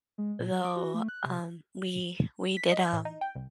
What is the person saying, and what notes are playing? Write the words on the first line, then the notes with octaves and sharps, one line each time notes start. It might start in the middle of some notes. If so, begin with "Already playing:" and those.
though, um, we we did, um,
G#3
A#2
F#3
D6
F#4
A3
F#6
C3
B6
D#5
A2
D#4
G5
C2